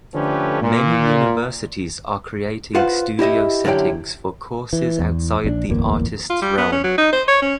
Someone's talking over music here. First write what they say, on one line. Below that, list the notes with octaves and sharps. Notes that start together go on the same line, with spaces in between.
Many universities are creating studio settings for courses outside the artist's realm.
D3 F3 A3 C#4 G4 B4
A#2
F4 B4 C5 F5 F#5
E4 G4 D#5 E5
F#2 D3 E4 G4 G5
E3
E2
A#1 C#4 D4
D1 G1 E2 A#3
F4
G3
B3
C#4
F#3
D#4
C5
C#5
C#4